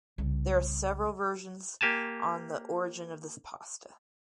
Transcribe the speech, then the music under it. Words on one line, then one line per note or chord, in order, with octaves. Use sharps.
There are several versions on the origin of this pasta.
C2 C#3
A#3 G4 G#5 A5